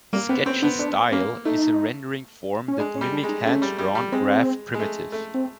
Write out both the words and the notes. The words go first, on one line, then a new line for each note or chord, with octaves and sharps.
Sketchy style is a rendering form that mimic hand-drawn graph primitive.
G3 A#3
B3 C4
C4 C#4
B3 D4
B3 D4
A#3 C#4
A3 D#4
C#4
G#3 D4
C#4
G3
D4
G#3
D#4
A3 C#4
G3
G3
G3
G#3 C4
G#3
A3
A3
C4